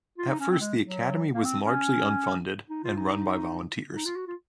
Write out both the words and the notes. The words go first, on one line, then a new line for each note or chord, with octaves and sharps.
At first the Academy was largely unfunded and run by volunteers.
F4
D#4
C#4
C4
G#3
F#3
A#3
C4
C#4
D#4
F4
D#4
D#4
F4
F#4
F4